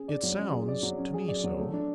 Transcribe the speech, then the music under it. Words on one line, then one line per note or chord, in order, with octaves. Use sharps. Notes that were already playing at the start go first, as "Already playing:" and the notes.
'It sounds to me so.
Already playing: C#4 G#4
D5
F#3
C#4
G#4
D5
F#3
C#4
G#4
D5
F#3
A3
D4